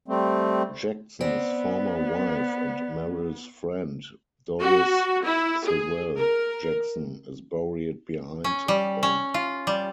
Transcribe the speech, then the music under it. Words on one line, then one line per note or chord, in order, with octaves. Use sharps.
Jackson's former wife and Merrill's friend, Doris Sewell Jackson is buried behind them.
G3 A3 C4
B3 C4 D5
F#4
E4
G#4
A#4
C#4
G3
C#4
F4
G3